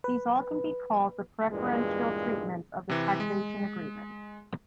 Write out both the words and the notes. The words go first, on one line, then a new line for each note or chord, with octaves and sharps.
These all can be called the preferential treatments of the taxation agreement.
B4
E2 G2 A#2 G#3
C3 E3
G#3